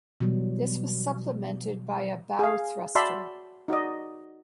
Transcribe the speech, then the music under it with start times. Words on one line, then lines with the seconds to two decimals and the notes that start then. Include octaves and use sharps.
This was supplemented by a bow thruster.
0.20 B2 E3 F#3 G3
2.39 G#4 F5
2.95 F#4 D5 E5 A5 B5 C6
3.68 D#4 F#4 D5 D#5